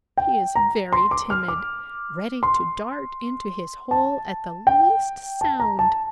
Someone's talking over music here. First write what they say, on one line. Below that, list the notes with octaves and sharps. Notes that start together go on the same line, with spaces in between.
He is very timid, ready to dart into his hole at the least sound.
G5
A#5
C6
D6
F6
D6
C6
A5
G5
A5
A#5
A5